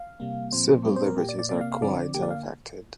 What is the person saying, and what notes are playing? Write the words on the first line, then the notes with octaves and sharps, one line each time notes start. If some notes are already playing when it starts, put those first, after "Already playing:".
Civil liberties are quite unaffected.
Already playing: F5
C3 G3 A#3
A#2 F3 C4 C5
A#2 G3 C4 G4
C5
A#4
A#2 A#3 G4
D5
D5
C3 A#3 D5
F5
F5
D3 F3 C4 D5
D3 A#3 G4
D5
F5